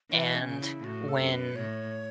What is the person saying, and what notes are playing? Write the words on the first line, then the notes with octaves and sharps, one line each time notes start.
and when
E3 B4 C#5
C#4
C#3
E4
A2 F#4
A4
F#2
B4
A2 C#5